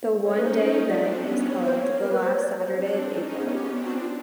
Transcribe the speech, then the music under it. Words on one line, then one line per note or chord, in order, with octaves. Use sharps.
The one day event is held the last Saturday of April.
C#4 D#4 C#5
B4
C5
C#5
C5
C#5
C4 D4 D5
B3 C#4
A#3 C4 C#5
C5
C#5
A#4
B4
C5
C#5
D5
C#5
C5
C4 D4 C#5
D5
C#5
C#4 D#4
B3 C#4 G#4
G4
C4 D4 G4
F#4
F4